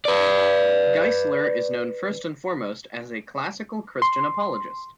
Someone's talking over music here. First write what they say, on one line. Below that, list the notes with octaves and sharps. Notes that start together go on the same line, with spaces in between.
Geisler is known first and foremost as a classical Christian apologist.
B4 D5
C6